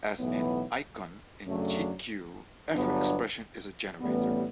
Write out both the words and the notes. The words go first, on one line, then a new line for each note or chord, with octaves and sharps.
As in Icon, in jq every expression is a generator.
B1 A2 E3 B3
F#2 C#3 F#3 A3 D4
G1 G2 F#3 B3 D4
A1 A2 G3 B3